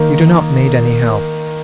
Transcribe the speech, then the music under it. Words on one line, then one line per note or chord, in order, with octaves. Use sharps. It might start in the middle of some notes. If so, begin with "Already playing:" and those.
You do not need any help.
Already playing: D#3 A#3